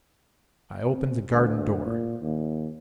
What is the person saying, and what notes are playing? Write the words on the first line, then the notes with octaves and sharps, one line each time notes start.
I opened the garden door.
C4
D2
A#2
D#2